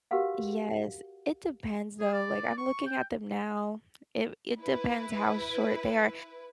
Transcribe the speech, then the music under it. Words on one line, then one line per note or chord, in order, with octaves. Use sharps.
Yes. It depends, though, like, I'm looking at them now. It it depends how short they are
F#4 G4 A#4 B4 F5 F#5
G#4
D5
C#6
G5
E4 B4